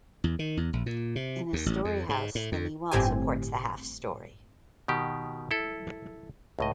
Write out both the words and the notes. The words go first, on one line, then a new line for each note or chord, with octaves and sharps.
In a -story house, the knee wall supports the "half story".
E2
D#3
E2
A#1
A#2
C3
D#2
A1
F2
G#2
A2
F2
G1 A2 C4 G4 G#5
B2 D#3 G4
E4 A4
C#2 A2 D#5